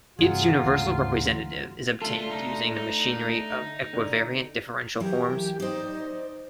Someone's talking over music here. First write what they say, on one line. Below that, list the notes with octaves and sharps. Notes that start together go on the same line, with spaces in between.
Its universal representative is obtained using the machinery of equivariant differential forms.
G2 C3 E3 F#3 F4 G#4
D2 G#2 C#3 E3 C6
D3 A3 F4 A4
D#4
D#4
D3
E3 F#3 G4 A#4
D#4 C5 D5